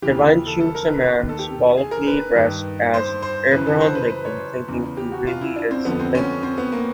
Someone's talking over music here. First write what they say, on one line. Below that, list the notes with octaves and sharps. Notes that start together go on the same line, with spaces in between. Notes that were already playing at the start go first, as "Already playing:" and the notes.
Devine shoots a man symbolically dressed as Abraham Lincoln, thinking he really is Lincoln.
D#2 C#3 E3 G4
A4
A4
A#4
B4
D#2 D#3
A4
G4
G#4
A#4
B4
G2 D#3
C5
C5
F#2 C#3 E3 B4
A4
C5
B4
B4
C#5
E2 C#3 E3
G4
F#4
F4
E4
D4
C4
F2 D3 F3 B3
C4
C#4
C4
B3
A#3